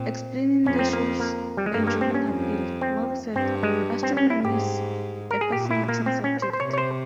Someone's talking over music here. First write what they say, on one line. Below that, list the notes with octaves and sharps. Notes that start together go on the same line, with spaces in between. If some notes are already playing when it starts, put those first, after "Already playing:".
Explaining the show's enduring appeal, Moore said: Astronomy's a fascinating subject.
Already playing: A#2 C4
F2 C#4
C4
A#3
A#3
G3
G#3
G2 A#3
A#3
C4
C#4
F2
C4
G2 C4
G#3
C4
C#4
E4
G#2 G4
A#4
G#4
A#2 G4
E4
A#3
C4
C#4
C5
C5
C3 C#5
C#5
C5